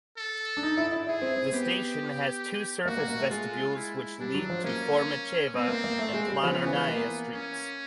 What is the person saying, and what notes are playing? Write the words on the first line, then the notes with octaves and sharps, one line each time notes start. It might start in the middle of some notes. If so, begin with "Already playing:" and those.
The station has two surface vestibules which lead to Fomicheva and Planernaya streets.
A4
D4
D#4
E4
E4
E4 G#4
C4
C4
B3 G4
A#3 F#4
A#3
A#3
A3
G#3 F4
E4
G3 D4
F#3
F3
A#3 C#4
B3 C4
A#3
A#3
A3
G#3
G3
F3 B3
E3
A#3
C#4